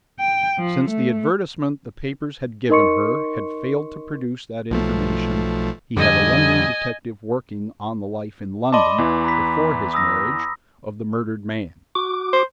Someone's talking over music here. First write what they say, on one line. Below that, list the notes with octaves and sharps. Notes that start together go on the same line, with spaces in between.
Since the advertisement the papers had given her had failed to produce that information he had a London detective working on the life in London, before his marriage, of the murdered man.
G5
F3
A3
D#4 A#4 D#5 C6 C#6 C#7
B1 F3 A3
F2 D3 G3 D#5 G#5
D5 D#5 A5 B5 C6 D6
E2 E3
A#5 B5 B6
D#6 E6 A#6
F#4 D6
C5